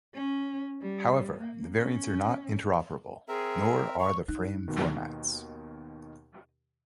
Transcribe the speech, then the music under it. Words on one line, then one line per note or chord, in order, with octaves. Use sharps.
However the variants are not interoperable, nor are the frame formats.
C#4
G3
A#3
C#4
C4 G#4 A#4 E5
C#6
D#4 F#6
D#2 B2 D#3